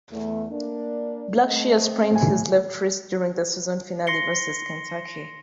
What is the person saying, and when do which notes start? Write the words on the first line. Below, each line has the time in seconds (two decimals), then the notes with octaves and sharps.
Blackshear sprained his left wrist during the season finale versus Kentucky.
0.11 E2 A3
0.50 A#3 D4
1.44 A3 C4 D#5
2.11 A2 G#5
4.07 C6 A#6 C7 C#7 G7